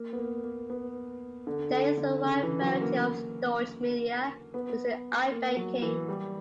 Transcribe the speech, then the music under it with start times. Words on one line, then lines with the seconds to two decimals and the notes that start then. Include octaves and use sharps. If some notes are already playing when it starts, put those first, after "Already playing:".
There is a wide variety of storage media used in eye banking.
Already playing: A#3
0.13 B3
0.18 A#3
0.44 A#3
0.70 B3
1.47 D3
1.72 D3
1.98 D3
2.23 C#3
2.43 E3
2.62 F#3
2.81 A#3
4.54 B3
5.31 A#3
5.57 F#3
5.82 E3
6.08 G3